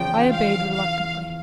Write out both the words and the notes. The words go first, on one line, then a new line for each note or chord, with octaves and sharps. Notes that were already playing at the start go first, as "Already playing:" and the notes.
I obeyed reluctantly.
Already playing: E2 C#3 F3 G5
F5
F5